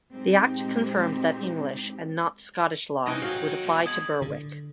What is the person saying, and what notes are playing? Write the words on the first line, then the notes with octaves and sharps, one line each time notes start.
The Act confirmed that English and not Scottish law would apply to Berwick.
A#2 G#3 C4 D#4 G4
C3 E3 C#4 D#4 D#5 G5
F#3 F5
B2 G#3
D#6 G#6 F#7
D3